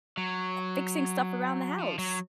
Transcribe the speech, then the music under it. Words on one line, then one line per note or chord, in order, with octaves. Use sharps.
e fixing stuff around the house
F#3
F3
F#3